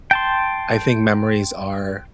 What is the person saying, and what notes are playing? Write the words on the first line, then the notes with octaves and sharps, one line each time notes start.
I think memories are
G5 A5 C6